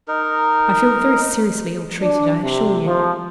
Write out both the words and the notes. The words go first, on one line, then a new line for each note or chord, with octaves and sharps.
I feel very seriously ill-treated, I assure you.
D#4 A#4
D4
C3
F3